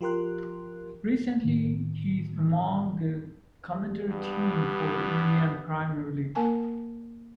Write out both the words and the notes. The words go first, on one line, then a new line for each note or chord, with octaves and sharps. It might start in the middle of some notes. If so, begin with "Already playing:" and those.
Recently, he is among the commentary team for the Indian Premier League.
F3 F4 G4 A#4 C6 F#6
A2 D#3
G3
G2 B3
A#3 A#4 G#5 A5